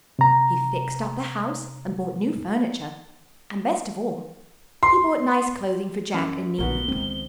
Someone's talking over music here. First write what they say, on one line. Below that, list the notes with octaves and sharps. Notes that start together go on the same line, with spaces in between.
He fixed up the house and bought new furniture, and, best of all, he bought nice clothing for Jack and Nina.
C3 A#5
C6
F#2 F6
A#1 A#2 B3 F#4 A#4 G7
C#2 D#3 C4